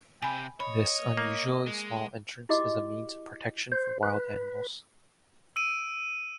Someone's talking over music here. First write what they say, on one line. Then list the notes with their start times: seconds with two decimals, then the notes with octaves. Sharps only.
This unusually small entrance is a means of protection from wild animals.
0.22 C3 G5 G#5 B5
0.60 C#5 D#5 B5
1.17 A#3
1.67 G#3
2.49 E4 F#4 G4 D#5 D6
3.72 C5
4.03 B4
5.56 E6 D7 D#7